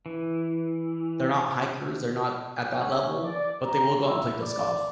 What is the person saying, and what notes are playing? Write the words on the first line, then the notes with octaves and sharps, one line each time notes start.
they're not hikers, they're not at that level, but they will go out and play disc golf.
E3
C#4
D5
A#5
E4
D5